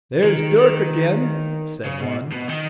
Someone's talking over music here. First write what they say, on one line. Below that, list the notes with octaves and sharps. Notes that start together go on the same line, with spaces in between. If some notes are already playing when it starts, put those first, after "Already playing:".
"There's Dirk again," said one.
D#3
D#3
C#3
B2
B2
D#3